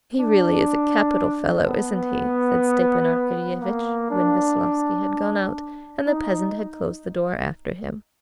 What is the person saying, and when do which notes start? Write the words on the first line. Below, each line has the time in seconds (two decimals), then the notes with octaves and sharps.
"He really is a capital fellow, isn't he?" said Stepan Arkadyevitch, when Veslovsky had gone out and the peasant had closed the door after him.
0.20 D4
1.66 B3
3.61 A#3
4.10 D4
6.07 D#4